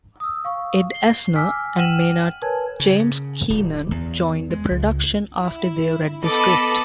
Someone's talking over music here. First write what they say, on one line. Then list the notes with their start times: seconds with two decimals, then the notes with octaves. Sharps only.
Ed Asner and Maynard James Keenan joined the production after they read the script.
0.20 D#6 E6
0.45 F5 C#6
0.92 C7 G7
1.36 G#5 D6 E6 F6 B6
1.76 F#5 G5 F6 D#7 E7 F#7
2.42 A#4 B4 C#5 G#5 A5 G#6
2.80 C#3
3.50 D1
3.91 E2
4.50 G#3
4.71 C#2
5.41 E4
6.26 B3 A4 D#5 B5 D6